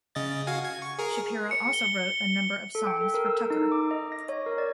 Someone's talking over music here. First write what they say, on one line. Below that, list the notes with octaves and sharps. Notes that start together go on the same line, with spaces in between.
Shapiro also wrote a number of songs for Tucker.
C#3 D#5 A6
F#4 F5 G#5
G#6
C#6
G#4 A#4
C#7
G7
A4
G5
A4
A#4
E6
D#4
D6
D#5
A#6
C#5
A#4
D5